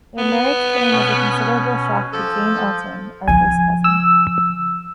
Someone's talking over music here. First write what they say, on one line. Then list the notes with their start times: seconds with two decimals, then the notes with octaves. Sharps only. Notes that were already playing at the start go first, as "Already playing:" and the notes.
Their marriage came as a considerable shock to Jane Elton, Arthur's cousin.
0.18 B3
0.91 B2 C#4
2.13 F3 A4
3.28 C#3 F3 G#5
3.84 E6